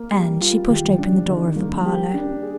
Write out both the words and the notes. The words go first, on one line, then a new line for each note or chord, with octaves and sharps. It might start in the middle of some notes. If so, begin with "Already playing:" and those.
And she pushed open the door of the parlour.
Already playing: A#3
G3
F4
D#3 G4
G#3
G3
D4
F3
D#3
G3 A#3
G4
D4
G#4